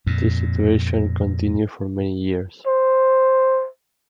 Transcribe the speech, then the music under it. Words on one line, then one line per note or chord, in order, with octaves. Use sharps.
This situation continued for many years.
F2 A#2
C5